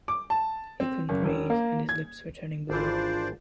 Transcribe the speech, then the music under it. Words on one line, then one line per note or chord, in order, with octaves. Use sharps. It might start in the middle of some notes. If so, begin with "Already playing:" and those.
He couldn’t breathe and his lips were turning blue.
D6
A5
C4
F#1
E1
A#3
G#6
G#1 E3 D4 F4 C5 D5